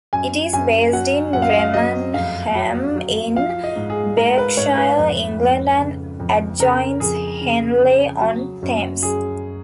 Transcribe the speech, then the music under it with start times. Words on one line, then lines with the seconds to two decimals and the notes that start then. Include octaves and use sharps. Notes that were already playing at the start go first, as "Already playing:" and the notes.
It is based in Remenham in Berkshire, England and adjoins Henley-on-Thames.
0.13 F#2 G#5
0.53 F#2 G#5
0.93 F#3 F#5
1.33 F#2 F#5
1.42 F5
1.50 D#5
1.58 F5
1.74 F#3 D#5
2.14 F2 F5
2.55 F#3
2.96 F#3
3.35 F3 F5
3.64 D#5
3.76 G#2
3.90 G#4
4.17 G#2 A#4
4.38 B4
4.57 G#2 C#5
4.78 B4
4.99 F2
5.39 F2
5.78 C#3
6.20 F2
6.59 C#3 A#4
7.00 F2 G#4
7.41 C#3
7.81 C#3
8.22 F#3
8.63 F#2
9.03 F#2 G#4